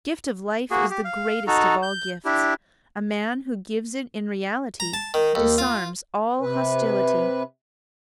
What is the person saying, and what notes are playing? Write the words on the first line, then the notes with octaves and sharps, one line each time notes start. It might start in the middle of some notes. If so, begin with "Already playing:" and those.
Gift of life is the greatest of all gifts; a man who gives it in reality, disarms all hostility.
A#3 F#4 G#4
G4
F5
D#4 F#4 A4 A#5
G6
D4 E4 G4
A#5
A5
D#3
D#2
F4
C3 B4